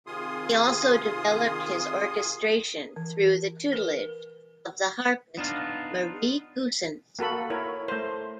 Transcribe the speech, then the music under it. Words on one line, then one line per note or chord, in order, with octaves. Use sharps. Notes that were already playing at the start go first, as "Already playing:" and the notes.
He also developed his orchestration through the tutelage of the harpist Marie Goossens.
C3 D#3 F4 G#4 C6 D#6
E3
A#4 B4
B3 D4 D#4 F4
A#3 F#4 A4 B5
E4 A#4 C#5
A3 C5